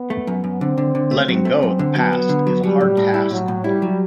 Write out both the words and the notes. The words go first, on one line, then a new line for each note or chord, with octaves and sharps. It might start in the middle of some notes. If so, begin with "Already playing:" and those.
Letting go of the past is a hard task.
Already playing: B3
A3
F#2
F#2
D3 C4
D3
D3
A3
F#3 C4
A3
F#2
D3
F#3 B3
F#3
D3
F#3
F#3 G3
A2
A2
E4
A2 F#3
A2
G3 E4
F#3